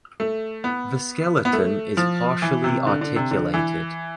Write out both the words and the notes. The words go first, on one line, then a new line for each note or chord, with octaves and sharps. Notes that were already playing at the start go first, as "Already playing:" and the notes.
The skeleton is partially articulated.
A3
B3
B3
A3
F3
E3
C3
D3
D3
C3
D3
E3